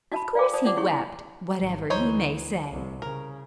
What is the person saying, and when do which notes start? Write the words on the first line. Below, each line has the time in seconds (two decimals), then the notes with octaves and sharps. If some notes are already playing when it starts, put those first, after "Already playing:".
Of course he wept--whatever he may say.
0.12 F#4 A5 B5
0.35 D5 F5 G5 G#5 D6
0.53 C5 D5 A5 D#6
0.65 C#4 F4 D5 F#5 D6
0.77 E4 G4 G#4 C#5 C#6
0.92 G#5
1.60 G#1
1.90 D2 E3 D#4 C5 C#5
2.71 C2 C3
3.02 C#3 A#4